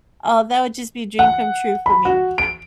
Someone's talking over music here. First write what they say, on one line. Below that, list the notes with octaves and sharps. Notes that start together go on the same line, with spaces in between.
oh, that would just be a dream come true for me.
F#5
B5
F#4
D7